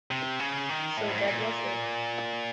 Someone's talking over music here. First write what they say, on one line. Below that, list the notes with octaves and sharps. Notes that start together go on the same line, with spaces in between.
So that was it.
C3
C#3
D#3
A2
G#2
A2
A#2